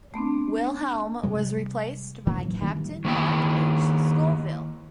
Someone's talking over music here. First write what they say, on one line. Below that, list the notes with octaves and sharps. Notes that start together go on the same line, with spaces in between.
Wilhelm was replaced by Captain Mark H. Scovill.
A3 B3 C4 D4
C3 G3 G#3
A2 E3 F#3 A#3
D#3 E3 G3 A#3
D#3 A#3 E4 G5